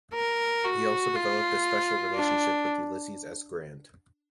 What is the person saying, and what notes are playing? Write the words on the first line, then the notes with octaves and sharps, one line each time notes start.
He also developed a special relationship with Ulysses S. Grant.
A#4
F#4
F4
D4